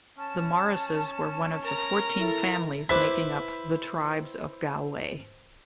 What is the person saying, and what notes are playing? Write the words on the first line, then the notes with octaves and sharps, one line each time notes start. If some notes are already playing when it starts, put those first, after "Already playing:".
The Morrises were one of the fourteen families making up 'the Tribes of Galway'.
C#4 A5
A#4 A#5
E4 A4
E4 B4 C5 D6 B6